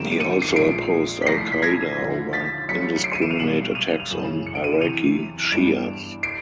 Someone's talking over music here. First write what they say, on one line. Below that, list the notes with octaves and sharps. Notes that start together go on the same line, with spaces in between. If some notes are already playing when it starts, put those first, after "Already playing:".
He also opposed Al-Qaida over indiscriminate attacks on Iraqi Shias.
Already playing: F2 C3 D#3 G3 B3 D7 E7
D7
C#7 D#7
C7
C#7
A#1 A#2 F3 G#3 C7 D7
B6
C2 A#2 F3 A3 A#6 C7
B6
G#6 A#6
D#2 D3 F3
A6 B6
D2 D3 F#3 A3 B6 C#7
C#7
C7 D7
C#7 D#7
D7 E7
D#7 F7
B1 B2 G3 E7 F#7
D#7 F7
F7
F#2 C#3 E3 E7 F#7
C#7
D7
D#7
E7
E2 C3 E3 D#7 F7
F7
G2 E3 G3 B3 D4 D7 E7
C7 D7